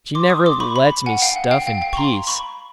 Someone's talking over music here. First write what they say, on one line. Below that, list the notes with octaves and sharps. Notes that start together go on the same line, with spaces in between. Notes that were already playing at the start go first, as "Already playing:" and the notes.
She never lets me stuff in peace.
C6 D6
C#6 D#6
C6 D6
B5 C#6
B5 C#6
F#5 G#5
F5 G5
F#5
F5 G5
F5 G5
F5 G5
C#6
A#5 C6
B5 C#6